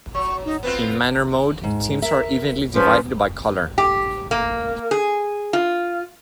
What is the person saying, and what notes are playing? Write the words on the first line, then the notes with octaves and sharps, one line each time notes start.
In Manner mode, teams are evenly divided by color.
F#3 C#6
D#4
B3 C4 F4 B4
G#2
A#4 E5
F3 C#4 B4 C5
G4
A#3
G#4
F4